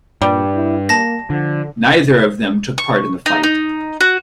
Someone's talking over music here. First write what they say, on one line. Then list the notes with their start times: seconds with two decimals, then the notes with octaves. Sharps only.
Neither of them took part in the fight.
0.22 G2 A#2 G3
0.54 E4
0.89 A#3 A5 A#6
1.30 D3 F3
2.78 C#6
3.26 D#4
3.43 D#4
4.01 F#4